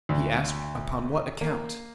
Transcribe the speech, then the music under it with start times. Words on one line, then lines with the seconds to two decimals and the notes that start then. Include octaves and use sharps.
He asked, upon what account?
0.09 D2
1.41 A#3